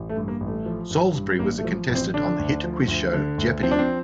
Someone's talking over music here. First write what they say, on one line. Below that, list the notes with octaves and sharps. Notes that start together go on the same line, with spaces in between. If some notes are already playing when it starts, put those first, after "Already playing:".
Salisbury was a contestant on the hit quiz show Jeopardy!
Already playing: A1
A3
G2
A#3
A1
A3
F3
A1
G2
A1 A#3
A3
F3
A1
C4
D3 D4
D2
F3
D2
D3
D2
F3 C4
D4
C4